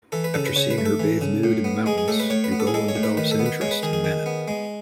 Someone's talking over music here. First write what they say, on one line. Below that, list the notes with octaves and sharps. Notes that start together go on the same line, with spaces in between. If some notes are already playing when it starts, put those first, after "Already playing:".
After seeing her bathe nude in the mountains, Ugolin develops an interest in Manon.
E3 A4
B4
C#3 A4
B4
C#3 C#5
B4
A3
A4
E3
C#3
A2
B3
G#3 G#4
G#4
A2 A4
B4
A2 C#5
B4
B3
A4
G#4
G#3 A4
C#5
A2
B4
D#3 B4
A4
B3
B4
G#3 C#5
B4
D#3 G#4
G#4
D#3
B3
G#3